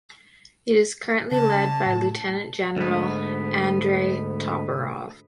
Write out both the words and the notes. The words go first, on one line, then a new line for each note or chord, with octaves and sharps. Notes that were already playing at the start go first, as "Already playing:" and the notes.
It is currently led by Lieutenant General Andrey Toporov.
C#3 A5
A2
D2 G#2 B3